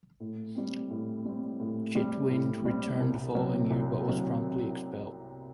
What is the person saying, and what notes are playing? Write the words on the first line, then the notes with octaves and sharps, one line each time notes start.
Chetwynd returned the following year but was promptly expelled.
A2
G3 C4
A2
G3 C4
A2
G3 C4
A2
G3 C4
C2
C3 F#3
C2
C3 F#3